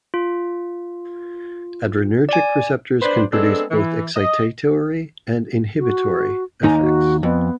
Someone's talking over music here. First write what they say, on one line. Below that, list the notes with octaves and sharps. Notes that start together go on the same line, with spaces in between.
Adrenergic receptors can produce both excitatory and inhibitory effects.
F4
D5 G#5
D4 B4 C5
G#3 B3 C4 D4 G#4 A4
E3
D#5
F#4
D#2 D#4 G#5 A#5
F#4
F2 B3